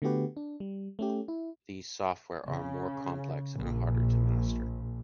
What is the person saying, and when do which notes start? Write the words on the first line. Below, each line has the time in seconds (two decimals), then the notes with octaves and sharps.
These software are more complex and harder to master.
0.02 D3 A3 B3 F#4 G4 B4
0.37 D4
0.60 G3
0.99 A3 C#4 G4
1.28 E4
2.47 C#3
3.55 A#1